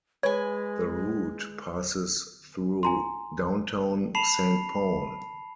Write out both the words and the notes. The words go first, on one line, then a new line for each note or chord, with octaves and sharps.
The route passes through downtown Saint Paul.
G#3 B4 C#5 G#5
G#5 A#5 C6
A5 B5 C7 F7